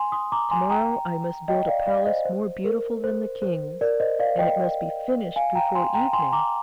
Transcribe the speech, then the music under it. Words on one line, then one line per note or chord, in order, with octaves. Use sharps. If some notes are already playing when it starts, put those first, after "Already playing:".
To-morrow I must build a palace more beautiful than the King's, and it must be finished before evening.'
Already playing: G#5 C6
C6 D#6
A#5 D6
G#5 C6
G5 A#5
D#5 G5
D5 F5
D5 F5
C5 D#5
C5
A#4
C5
C5
A#4 D5
C5 D#5
D5 F5
D#5 G5
F5 G#5
G5 A#5
G#5 C6
G5 A#5
G#5 C6
A#5 D6